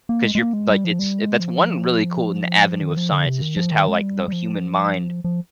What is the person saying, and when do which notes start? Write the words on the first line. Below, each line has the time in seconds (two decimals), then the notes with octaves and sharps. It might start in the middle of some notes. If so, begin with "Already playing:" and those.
'cause you're like, it's that's one really cool avenue of science is just how, like, the human mind
0.09 A#3
0.24 G#3
0.35 G#3
0.39 A#3
0.53 G#3
0.70 G3
0.85 F3
0.99 G3
1.19 G#3
1.40 F3
2.81 D#3
2.97 F3
3.12 D3
3.26 C3
3.42 D#3
3.57 F3
3.72 D#3
3.88 G#3
4.02 G3
4.28 G3
4.32 F3
5.24 F3